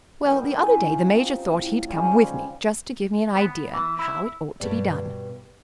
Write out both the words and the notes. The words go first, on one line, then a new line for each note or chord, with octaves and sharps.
Well, the other day the Major thought he'd come with me, just to give me an idea how it ought to be done.
D#3 G3 B3 D#4
C#4 D#4 E4
F4
C3 D#4
A2
F3 G3 G#3 C#4
B3
E3
E4
G2 B2 G4 D5